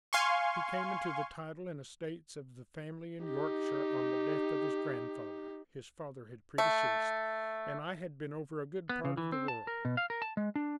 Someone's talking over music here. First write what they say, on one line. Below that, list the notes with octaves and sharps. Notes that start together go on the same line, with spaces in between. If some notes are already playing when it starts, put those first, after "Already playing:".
He came into the title and estates of the family in Yorkshire on the death of his grandfather--his father had predeceased--and I had been over a good part of the world.
F5 G#5 C6 C#6
D#4 G4
A3
B3
C#3
E3
C4
A5
A#4
B2
F5
A#4
A5
G#3
D4